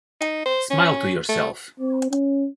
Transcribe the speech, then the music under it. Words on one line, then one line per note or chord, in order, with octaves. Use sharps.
Smile to yourself.
D#4
C5
C#4
A3
C4
C#4